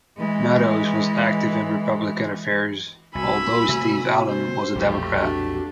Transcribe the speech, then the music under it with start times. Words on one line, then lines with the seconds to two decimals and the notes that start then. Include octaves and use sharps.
Meadows was active in Republican affairs although Steve Allen was a Democrat.
0.17 E3 G#3
3.15 C2 F#4 G#5 B5 E6
3.69 C3 A3 A#3
4.28 C5
4.75 B1 F2 A#2 A3 G4
5.19 D4 F#4